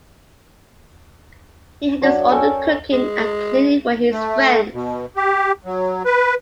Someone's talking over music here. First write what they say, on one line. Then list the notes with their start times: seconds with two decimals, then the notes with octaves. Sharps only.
He handles all the cooking and cleaning for his friends.
2.02 F#3 D4 C#5
2.32 C#4 A4 A#4 G5
2.92 G#3
4.12 A3
4.74 B2
5.16 G4
5.65 F#3
6.05 B4